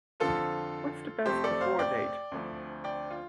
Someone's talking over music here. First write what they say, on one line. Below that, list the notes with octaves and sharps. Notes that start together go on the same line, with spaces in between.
What’s the Best Before date?
F2 D3 F3 F4 A4
F2 C3 A3 C4 G4 C5
A4 D5
C5 F5
D5 G5
D2 D3 F3 A3 C4
D5 G5
F4